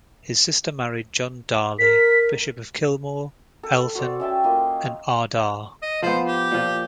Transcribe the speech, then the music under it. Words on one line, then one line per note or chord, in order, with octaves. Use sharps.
His sister married John Darley, bishop of Kilmore, Elphin, and Ardagh.
A#4 B6
A4
F#4 C5 D5
C#4 E5 G5 A5
A#3 F4 D#5
D#5
F3 B3 C5
G4
A#2 F3